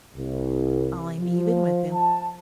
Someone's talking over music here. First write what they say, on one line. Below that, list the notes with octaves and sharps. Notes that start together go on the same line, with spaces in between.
I'm even with him.
C2
F3
A5